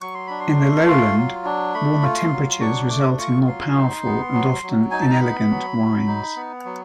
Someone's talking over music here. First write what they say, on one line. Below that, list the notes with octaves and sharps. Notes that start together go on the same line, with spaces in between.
In the lowland, warmer temperatures result in more powerful and often inelegant wines.
F#3 C#6
C6
D4 B5
C6
A3
F4
F#3
D4
A3 B5
F4
C6
F#3
C6
D4 C#6
A3 D6
F4 C#6
F#3 C6
D#4
B3
F#3
F#3
D#4 G#5
A5
A#5
B3 B5
F#3
F#3
D#4
B3
F#3